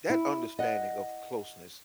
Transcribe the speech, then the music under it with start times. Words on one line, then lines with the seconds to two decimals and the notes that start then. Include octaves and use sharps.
that understanding of closeness
0.10 E4
0.59 D#5 F#5